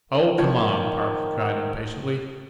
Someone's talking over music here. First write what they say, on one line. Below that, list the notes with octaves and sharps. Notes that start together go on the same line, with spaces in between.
"Oh, come on," Park cried impatiently.
D#3
F3 C#5